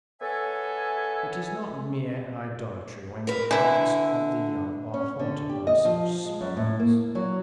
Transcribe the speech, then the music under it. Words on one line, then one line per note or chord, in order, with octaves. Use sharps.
It is not mere idolatry when the hearts of the young are haunted by such spells.
B3 A4 C#5 E5 G#5
A#4 B4
D3 E3 E4
C#4
D3
G4
D#5
F3
G#3
F#2
A2
A#3
F#3